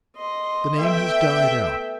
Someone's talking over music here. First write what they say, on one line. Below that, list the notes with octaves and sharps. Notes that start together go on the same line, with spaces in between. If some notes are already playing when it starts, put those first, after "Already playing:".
The name has died out.
D#5 C6
A3 B3 E5 G5